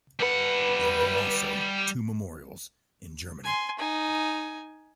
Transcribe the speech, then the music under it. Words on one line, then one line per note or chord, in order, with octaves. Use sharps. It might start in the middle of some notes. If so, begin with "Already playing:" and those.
There are also two memorials in Germany.
G3 B4 F#5
G#5 C6
D#4 G#5